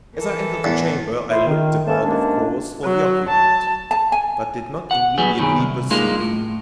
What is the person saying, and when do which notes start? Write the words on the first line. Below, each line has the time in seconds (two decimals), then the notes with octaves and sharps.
As I entered the chamber, I looked about, of course, for the occupant, but did not immediately perceive him.
0.15 E3 A4 A#4
0.64 E2 A2
1.30 E4 F4 C5
1.47 D#3
1.86 A2 E3 A#3 C#4 A4 A5
2.03 C3 D#3 G#3 A#3 C#4 D4
2.84 F#3
3.29 A5
3.91 A5
4.12 G#5
4.91 F#5
5.18 F#3 G3 B3 G#4
5.38 F#2 B2 D#3 G#4
5.58 C2
5.91 G3 G#3 A#3 D#4 F4
6.21 A2